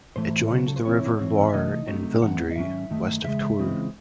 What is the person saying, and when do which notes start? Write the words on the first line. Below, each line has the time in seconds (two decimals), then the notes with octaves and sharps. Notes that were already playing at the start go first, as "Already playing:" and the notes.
It joins the river Loire in Villandry, west of Tours.
0.16 A2 E3 A3 C5
0.51 C#2 C#3 F#3
0.67 A4
0.76 C5
0.85 C2 C3 E3 C4 E4 C#5
1.19 F#2 E3 C4
1.49 E5
1.53 C3 E3 A3 D#4 D#5
1.87 C2 C3 F#3 A3 D#4
2.21 A2 E3 C4 F#5
2.51 D#5
2.56 G#2 D#3 F#3 C#4 E5
2.90 F#2 D#3 A3
3.24 E2 C#3 G#3 E5
3.59 C#2 C#3 E3 G#3 C4